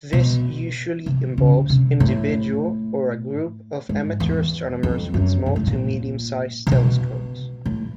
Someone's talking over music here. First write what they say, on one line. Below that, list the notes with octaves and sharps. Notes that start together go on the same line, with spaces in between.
This usually involves individual or a groups of amateur astronomers with small-to-medium-sized telescopes.
B2
C3
C#3
C3
A2
G#2
E2
F2
F#2
A#2
A2
A#2
C3
B2
A2